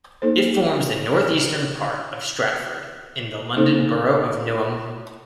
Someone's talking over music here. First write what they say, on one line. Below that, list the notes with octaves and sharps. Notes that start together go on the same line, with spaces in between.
It forms the northeastern part of Stratford in the London Borough of Newham.
A#3 D#4 A4 C5
A#3 D#4 A4 C5